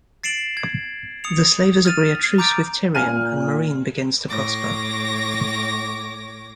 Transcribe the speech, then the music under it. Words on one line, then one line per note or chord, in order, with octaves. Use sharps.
The slavers agree a truce with Tyrion and Meereen begins to prosper.
A6 C7 D7 E7 F#7
G#6
D#6 C#7 F7
F6 A6 D#7 F7
A#5 D6 G6 A6 D7
A#2 G#5 F6 D#7
A2 C#5 D6 A#6